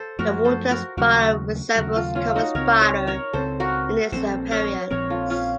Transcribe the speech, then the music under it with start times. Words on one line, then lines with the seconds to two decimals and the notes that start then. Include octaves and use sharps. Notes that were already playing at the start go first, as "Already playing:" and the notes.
The water-spider resembles the common spider in its appearance.
Already playing: A4 C5
0.19 F#2 F3 A3 F#4 A#4
0.45 A4 C5
0.71 F#4 A#4
0.97 D#2 C#3 F#3 A3 F#4 A#4
1.76 D#2 C#3 F#3 A3 F#4 A#4
1.96 F4 A4
2.15 C#4 F4
2.35 D#4 F#4
2.54 C#2 C#3 A3 C4 A#4 C#5
2.81 A#4 C#5
3.07 A#4 C#5
3.33 C#2 C#3 A3 C4 A4 C5
3.60 F#4 A#4
4.12 A#1 A#2 F3 C4 A4 C5
4.51 A#4 C#5
4.90 A#1 A#2 F3 C4 A#4 C#5
5.10 F4 A4
5.30 C#4 F4